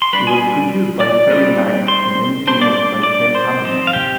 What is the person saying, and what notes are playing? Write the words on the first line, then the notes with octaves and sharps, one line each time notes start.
It was produced by Terry Knight and engineered by Ken Hamann.
C6
G3 D4 B4 B5
G#4 G#5
D5 D6
G3 C4 D#4
C5 C6
G3 D4 C5 C6
D5 D6
D6
D5 D6
C5 C6
F3 C4 D#4
F5
G4 G5